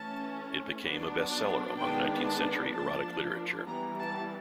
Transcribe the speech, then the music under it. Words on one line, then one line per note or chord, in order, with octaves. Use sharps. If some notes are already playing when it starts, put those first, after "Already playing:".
It became a bestseller among nineteenth century erotic literature.
Already playing: E3 A3 C#4 A5
F#3 B3 D4
D#3 G#3 B3 D4 G5
A5
F3 A#3 D4 A5
E3 G3 B3 A#5
A5